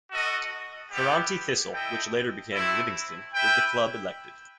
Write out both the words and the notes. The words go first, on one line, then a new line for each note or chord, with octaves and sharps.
Ferranti Thistle, which later became Livingston, was the club elected.
F#4 A4 D#5
G3 B3 E4 G4
E4 A4 D#5 G5
A3 C4 E4
E4 B4 E5 G5